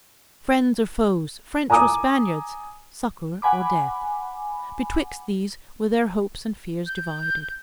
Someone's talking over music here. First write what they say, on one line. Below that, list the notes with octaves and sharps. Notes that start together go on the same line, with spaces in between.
Friends or foes, French or Spaniards, succor or death,--betwixt these were their hopes and fears divided.
G#5 A#5 D6 D#6
F#5 G#5 B5 D6
G6